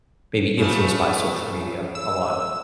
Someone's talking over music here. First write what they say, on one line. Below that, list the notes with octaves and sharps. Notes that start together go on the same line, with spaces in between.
maybe influenced by social media a lot.
C#3 A3
E6